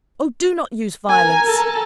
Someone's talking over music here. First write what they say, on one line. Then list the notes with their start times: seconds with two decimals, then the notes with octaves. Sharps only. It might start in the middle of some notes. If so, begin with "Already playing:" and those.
'Oh, do not use violence!
1.09 A#4 G#5
1.48 A4